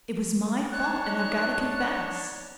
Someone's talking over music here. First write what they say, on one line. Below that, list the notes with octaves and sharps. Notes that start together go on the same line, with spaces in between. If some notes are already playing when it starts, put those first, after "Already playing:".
It was my fault and I've got to confess.
D4 D#4 C#5 A5 F#6